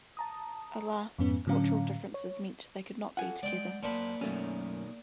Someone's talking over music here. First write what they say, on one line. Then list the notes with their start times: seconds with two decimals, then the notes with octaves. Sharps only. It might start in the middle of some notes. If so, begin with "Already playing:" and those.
Alas, cultural differences meant they could not be together.
0.17 A5 A#5 D#6
1.18 F2 G#2 B3 C#4
1.47 A2 D3 F#3 C#4 F5 A#5
2.14 C#5
3.17 F4 A4 F#5 G#5
3.43 G#3 D5 G5
3.83 F#2 A#2 C5 A5 B5
4.21 F#2 B2 D#3 F#3 A3 C#4